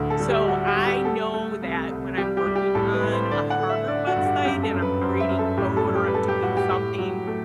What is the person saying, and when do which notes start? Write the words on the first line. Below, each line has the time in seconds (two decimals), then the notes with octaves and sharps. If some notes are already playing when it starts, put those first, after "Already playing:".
So, I know that when I'm working on a harder website, and I'm creating code or I'm doing something
Already playing: D2 A2
0.10 A4
0.20 G3
0.30 G4
0.48 G3 F#4
0.67 G4
0.77 G3
0.86 G4
1.05 A3 A4
1.34 A3
1.62 C2
1.90 C2
2.17 G3 G4
2.37 G4
2.47 G3
2.56 G4
2.75 A2 A4
2.94 B4
3.03 A2
3.12 C5
3.31 D3 D5
3.50 F#5
3.60 A3
3.69 E5
3.88 D3 D5
4.07 F#4
4.16 G2
4.25 G4
4.45 F#2 G4
4.63 A4
4.73 F#2
4.82 B4
5.01 F#2 C5
5.20 E5
5.29 F#2
5.39 A4
5.57 A2 G4
5.77 A4
5.86 G3
5.95 G4
6.07 B4
6.14 G3 A4
6.28 G4
6.43 A2 F#4
6.57 G4
6.71 A2
6.99 F#3
7.27 A3